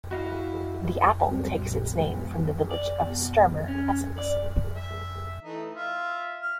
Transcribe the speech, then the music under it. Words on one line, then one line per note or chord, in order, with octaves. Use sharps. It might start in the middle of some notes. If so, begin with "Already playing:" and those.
The apple takes its name from the village of Sturmer, Essex.
E4 F#4 D#5 F5
G1 C#2 F#3 G3 C4
A#1
F3 G#3 B3
D5
B2
C#4
D5
E5
E3 A3 D#4
F4 E5 F5
F6